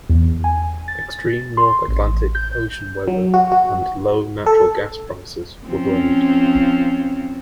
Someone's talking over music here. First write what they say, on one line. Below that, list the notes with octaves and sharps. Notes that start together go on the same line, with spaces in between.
Extreme North Atlantic Ocean weather and low natural gas prices were blamed.
E2
G#5
A6
C6
A1
G6
F#3
F#4
F#4
A4
F3 C4 C#4